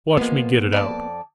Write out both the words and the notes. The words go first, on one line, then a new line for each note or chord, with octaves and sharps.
Watch me get it out!'
F3 G#3 A#3 B3
F2 D5 A5